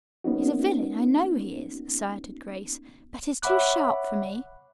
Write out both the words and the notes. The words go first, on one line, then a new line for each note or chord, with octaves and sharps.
"He's a villain, I know he is," asserted Grace, "but he's too sharp for me."
A#3 B3 C#4 D#4 F#4
C#5 E5 F#5 B5 D6 F#6